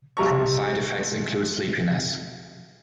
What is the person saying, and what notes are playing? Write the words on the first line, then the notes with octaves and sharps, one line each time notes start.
Common side effects include sleepiness.
B1 G3 A#5 C#6